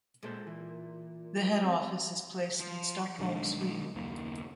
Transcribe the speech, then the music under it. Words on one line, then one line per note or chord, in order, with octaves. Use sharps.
The head office is placed in Stockholm, Sweden.
A#2 G#3 A4 C5
E3
C4
F3
B1 D#3 G#3 D4
F#1 D#2 A#3